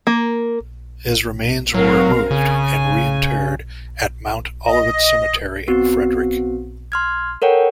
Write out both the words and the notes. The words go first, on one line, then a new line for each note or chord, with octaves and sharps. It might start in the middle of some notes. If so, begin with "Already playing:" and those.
His remains were removed and re-interred at Mount Olivet Cemetery in Frederick.
A#3
F#3 C4 A#4 F5
C#3 G#5
D#5
B3 C4 F#4
C6 F6 G#6
A4 A#4 C#5 F#5 G5